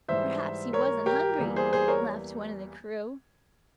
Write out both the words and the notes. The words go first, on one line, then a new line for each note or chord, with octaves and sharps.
"Perhaps he wasn't hungry," laughed one of the crew.
G#2 E3 G3 C5 E5
A#4 C#5
G4 A#4
E2 E3 G3 A#3
G#4 C5
G#4 C5
A#4 C#5